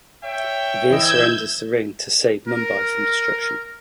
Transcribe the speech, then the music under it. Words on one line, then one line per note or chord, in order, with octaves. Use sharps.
Veer surrenders the ring to save Mumbai from destruction.
C#5 E5 G5
E3 D#5 E6 G6 G#6
A#4